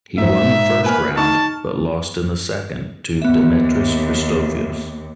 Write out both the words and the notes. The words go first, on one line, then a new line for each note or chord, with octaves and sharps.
He won the first round, but lost in the second to Demetris Christofias.
G#2 C5 E5
A#3 B4 G#5 F6
D#4 A5 C#6
D#2 B3 E5